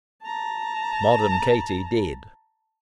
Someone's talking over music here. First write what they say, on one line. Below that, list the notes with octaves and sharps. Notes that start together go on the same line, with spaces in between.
Modern Katie did.
A5 A#5